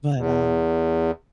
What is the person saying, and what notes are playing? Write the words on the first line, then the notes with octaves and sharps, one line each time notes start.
But, um
E2